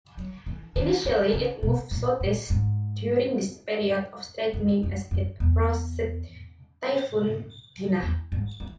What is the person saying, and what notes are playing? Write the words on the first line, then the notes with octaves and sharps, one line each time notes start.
Initially it moved southeast during this period of strengthening as it approached Typhoon Dinah.
F#3
E3
D#3
E3
C#3
B2
A#2
A#2
G#2
F#2
F#2
F#2
E2
E2
G#2
E3